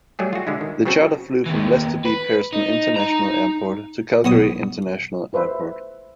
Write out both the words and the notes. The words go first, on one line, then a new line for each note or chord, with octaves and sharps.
The charter flew from Lester B. Pearson International Airport to Calgary International Airport.
F#3 G3 A3 G#4
F4 F#4
D3 G#3 E4
D#3
C#3 F#3 B3 C4 F#4 A4
D#2 E3
B4
D#4
D#4 A#5
B1 B3 C#5 D#6
E4 B4 C5 E5